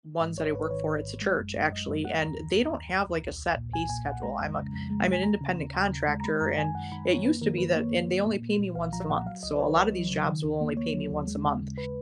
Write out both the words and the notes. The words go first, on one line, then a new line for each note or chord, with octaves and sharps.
ones that I work for, it's a church, actually- and they don't have, like, a set pay schedule, I'm a c I'm an independent contractor and, it used to be that and they only pay me once a month. So, a lotta these jobs will only pay me once a month,
G#2 D#5
G#1 C#5
G#2 B4
D#3 C#5
G#1
G#1
G#3
F#2
F#2
F#2 D#5
F#2
F#2 F#5
D#2 A#5
D#2
D#2
D#2
D#2
D#2
B1
B1
A#2
B1 G#5
A#2 G#5
B1 F#5
G#3 A#5
F2
C#3
F2
G#3
F2
G#5
D#2 A#5
C#3
D#2
D#2
C#3
G#3
A#5
G#3 B5
F#2 A#5
D#3 G#5
F#2 F#5
D#3 B5
F#2 C#5
A#3 B4
D#3 A#4
F#2 B4
A#3 C#5
F#2
A#3
A#2
A#2
A#2
B1 F5
F3 A#5
A#2 F#5
F#3 F5
C#2 D#5
B4
C#3 C#5
C#2 D#5
F#3
C#3
D#3
D#2
A#3
A#3 C#5
F#3
D#2
G#3
C#3
C#3
B4